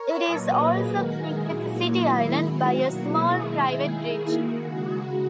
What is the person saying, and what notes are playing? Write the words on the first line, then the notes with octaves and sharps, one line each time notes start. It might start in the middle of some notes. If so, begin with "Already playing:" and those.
It is also connected to City Island by a small private bridge.
Already playing: A#4 C#5
A#2 F#3 A#3 B4 D#5
G#4 B4
D#3 G#3 F#4 A#4
E4 G#4
A#2 F#3 A#3 F#4
E4
D#3 G#3
F#4
B2 F#3 A#3
E4 G#4
D#3 G#3
D#3 A#3
F#4
C#3 G#3